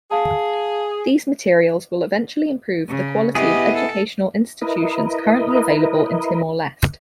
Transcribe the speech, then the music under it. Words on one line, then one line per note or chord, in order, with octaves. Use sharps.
These materials will eventually improve the quality of educational institutions currently available in Timor-Leste.
G#4 F5 A5
C#3
B3 E4 G4 G#4 D#5
A4
E4 A#4 B4 D#5